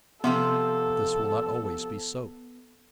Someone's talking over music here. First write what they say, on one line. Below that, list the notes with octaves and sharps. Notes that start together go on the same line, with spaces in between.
But this will not always be so.
C3 F3 B3 C4 A4